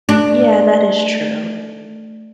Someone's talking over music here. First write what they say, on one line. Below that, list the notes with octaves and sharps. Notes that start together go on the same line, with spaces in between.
Yeah, that is true.
A3 D4